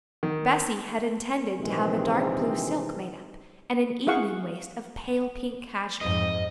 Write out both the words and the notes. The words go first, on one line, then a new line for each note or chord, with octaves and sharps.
Bessy had intended to have a dark-blue silk made up and an evening waist of pale pink cashmere.
D#3
A#1 C3 D#3 E3 G#3 C4
E4 G#4 F5 F#5 C#6
F2 G#2 D#5